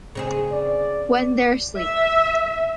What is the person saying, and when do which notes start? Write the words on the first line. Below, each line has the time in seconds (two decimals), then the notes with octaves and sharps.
When They're Asleep.
0.15 C#3 C4 G#4
0.52 D5
1.77 E5